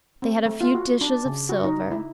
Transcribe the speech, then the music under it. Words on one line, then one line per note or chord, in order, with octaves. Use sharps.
They had a few dishes of silver.
C4
A3
F4
F#4
D4
C#3
F#4
D#4
E4